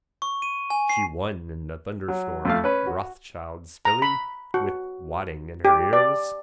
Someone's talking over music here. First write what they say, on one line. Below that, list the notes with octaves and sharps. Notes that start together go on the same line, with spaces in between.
She won in a thunderstorm, Rothschild's filly, with wadding in her ears.
C#6
D#7
G#5
C7
F#3
F2 A3 F5
C#4 B4
F#4
A#5
B5
F#4
G4
D5